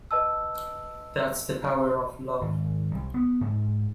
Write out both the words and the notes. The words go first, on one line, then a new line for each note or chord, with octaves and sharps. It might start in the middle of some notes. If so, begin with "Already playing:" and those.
That's the power of love.
B4 D#5 A5 E6
G#1
C2
B3
G#2